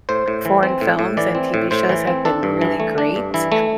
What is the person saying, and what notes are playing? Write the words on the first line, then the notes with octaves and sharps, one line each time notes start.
foreign films and TV shows have been really great.
A2 C5
A2
E3
C4
A2
A2
E3 D5
C4
A2
A2 C5
E3
C4
D4 A4
G2
E3
A3
D4
G2
E3 E4
A3